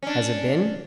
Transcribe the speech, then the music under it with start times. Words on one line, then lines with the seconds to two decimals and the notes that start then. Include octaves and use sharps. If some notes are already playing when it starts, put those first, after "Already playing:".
"Has it been?"
0.03 C#4 D4